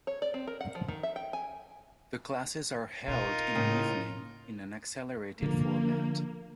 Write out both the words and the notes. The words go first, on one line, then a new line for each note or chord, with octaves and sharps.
The classes are held in the evening in an accelerated format.
C#5
D5
C4
A#4
F#5
F3
D#3
E5
G5
G#5
B2 D#4 F4 A#4
A2 C#3 A#3
D3 F3 A#3